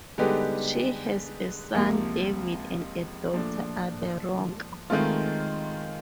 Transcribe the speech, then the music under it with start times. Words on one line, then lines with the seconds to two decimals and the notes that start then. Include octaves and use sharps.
She has a son, David, and a daughter, Aderonke.
0.18 D3 G3 G#3 B3 D#4 G4
1.75 C#2 C3 F3 A#3
3.33 A#2 F3 A3 D4
4.90 D#3 G#3 A3 C4 F4